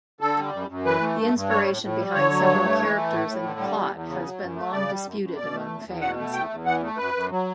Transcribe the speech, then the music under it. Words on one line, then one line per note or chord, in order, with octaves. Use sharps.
The inspiration behind several characters in the plot has been long disputed among fans.
D3 A4
G3
F#2
F#2
E3 B4
A3
G2
G2
G3 C#5
A2
A2
G3
D3 C#5
F#3
G2
A3
E3
A3
A2
A2
D3
G3
E2
E2
C#3
F#3
F#2
A3
C#3 D5
G3
F#2
F#2
B2 D5
A3
E2
E2
B2 F#5
A3
E2 G5
E2
E3 F#5
A3
F#2 B4
F#2
F#3